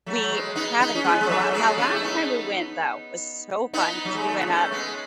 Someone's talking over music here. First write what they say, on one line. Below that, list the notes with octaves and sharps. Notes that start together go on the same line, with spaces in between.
we haven't gone for a while, now last time we went, though, was so fun, 'cause we went up
F#3 A3
G#3 B3
B3 D#4
B3 D#4
C#4
G#3 B3
G#3
F#3 A3
G#3 B3
A3 C#4
E4
B3 D#4
B3 D#4
F#3
G#3
A3
B3
A3 C#4
G#3 B3